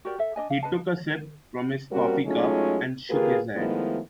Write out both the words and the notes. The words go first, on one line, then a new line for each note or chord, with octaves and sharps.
He took a sip from his coffee cup and shook his head.
F#4 G4 A#4 D5
A4 E5
D4 D#5 G#5
F5
B4 D#5 A5
G3 A#3 C4 C#4 F#4 A#4
F#3 G#3 A3 C#4 D#4 F4
A#3 F4 G4 G#4 A#4 B4
D#3 F3 G#3 A3 B3 E4